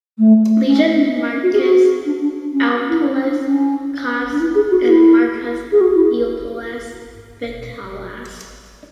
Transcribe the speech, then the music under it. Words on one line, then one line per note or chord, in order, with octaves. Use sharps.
Legion, Marcus Ulpius Caius and Marcus Ulpius Vitalis.
A3
C#4
F#4
G#4
F#4
D4
D4
C#4
E4
D4
C#4
D4
C#4
D4
E4
G#4
F#4
E4
G#4
F#4
E4